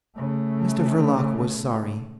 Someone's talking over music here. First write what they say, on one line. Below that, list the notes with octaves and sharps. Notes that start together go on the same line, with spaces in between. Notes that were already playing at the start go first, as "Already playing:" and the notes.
Mr Verloc was sorry.
C#3 A3